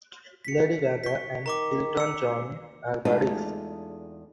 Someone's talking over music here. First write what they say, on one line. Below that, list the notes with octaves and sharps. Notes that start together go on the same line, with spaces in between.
Lady Gaga and Elton John are buddies.
B6 C#7
C#6 B6
D#3 A#5 C#6 D6
E6 C#7
E2 G#3 A3 D4 D#4 F4